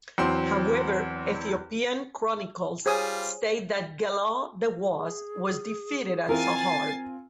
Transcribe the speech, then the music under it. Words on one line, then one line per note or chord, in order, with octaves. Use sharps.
However, Ethiopian chronicles state that Gelawdewos was defeated at Sahart.
E2 F#3 C4 C6
G3 F4 G#4 C5 C#5 G#5 D#6
G#4
E3 C4 F4 A#4 G#5 A6 C7